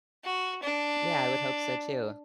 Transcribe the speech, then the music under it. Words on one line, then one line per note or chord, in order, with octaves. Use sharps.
Yeah, I would hope so too.
F#4
D4